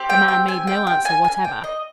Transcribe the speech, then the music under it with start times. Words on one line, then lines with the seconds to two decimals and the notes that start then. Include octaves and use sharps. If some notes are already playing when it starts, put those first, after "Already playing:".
The man made no answer whatever.
Already playing: C4 G4
0.10 G5
0.28 G5
0.48 G#5
0.67 G5
0.87 G5
1.05 G#5
1.24 G#5
1.44 G5
1.64 D#5